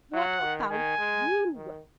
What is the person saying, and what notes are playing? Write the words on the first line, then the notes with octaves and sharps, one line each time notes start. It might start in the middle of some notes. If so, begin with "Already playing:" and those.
What about you?
F#3 F#5
D#3
D#3 G#5
G#3
D#3